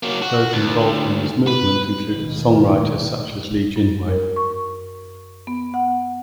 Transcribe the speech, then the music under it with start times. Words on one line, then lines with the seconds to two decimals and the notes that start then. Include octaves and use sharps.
Those involved in this movement included songwriters such as Li Jinhui.
0.03 F#3 A#3
0.22 F#4
0.53 D2
1.47 B4
2.06 A#1 D#2 B2 D#3
3.76 F#2
4.08 A#4
4.36 C#6
5.47 B3
5.74 F#5